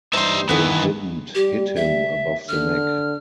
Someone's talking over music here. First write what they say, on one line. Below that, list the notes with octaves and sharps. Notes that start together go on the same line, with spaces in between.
They didn't hit him above the neck.
G2 E3 G3 D#4 C5 E5 C6
G2 D#3 E3 B3 E4
G3 G4
E5
D3 F6